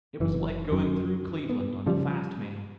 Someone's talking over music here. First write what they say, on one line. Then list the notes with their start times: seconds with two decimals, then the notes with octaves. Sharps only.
It was like going through Cleveland on the fast mail.
0.20 F#1 E3
0.72 F#2
1.49 B3
1.86 C#3 F3 G3